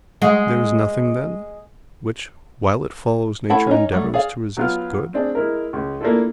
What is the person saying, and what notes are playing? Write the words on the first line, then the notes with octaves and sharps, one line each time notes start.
'There is nothing, then, which, while it follows nature, endeavours to resist good.'
G#3 F#4
A3 E4 F#5 A5
C#4 D#4
F#3 G3 A3
G#4 D5 F5
F#3 B3 F4 F5 F6
C4 D4 G#4
G#3 E4 A#4
C#2
A#3 D4 E4 F4 A4